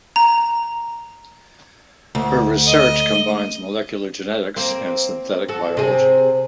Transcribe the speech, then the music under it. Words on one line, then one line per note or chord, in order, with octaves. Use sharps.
Her research combines molecular genetics and synthetic biology.
A#5
D2
D#5
A#3 C4
F#4 A4
C3 G#4